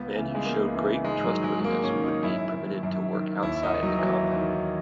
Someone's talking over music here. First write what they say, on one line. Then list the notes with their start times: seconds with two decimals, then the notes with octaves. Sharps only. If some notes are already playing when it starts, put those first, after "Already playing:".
Men who showed great trustworthiness would be permitted to work outside the compound.
Already playing: C#2 B3
0.15 C#3 E3
0.35 G#3
0.45 C#2 A#3
0.75 C#3 E3
1.04 G#2 G#3
1.24 F#3
1.34 D#3
1.44 G#3
1.60 G#3
1.64 G#2 A#3
1.84 C#4
1.94 D#3
2.04 D#4
2.23 F#2 E4
2.54 D#3
2.83 F#2
3.13 D#3
3.43 D#2 E4
3.63 D#4
3.73 D#3
3.83 F#3
3.99 E3
4.03 D#2 F#3
4.33 D#3